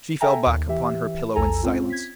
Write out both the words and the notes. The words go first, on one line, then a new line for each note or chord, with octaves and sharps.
She fell back upon her pillow in silence.
A4 E5 G5 G#5 A#5
D#2
E3 G4 E5
A#1 E2 A4 G#5 A#5
C4 C#4 F4
G#6 B6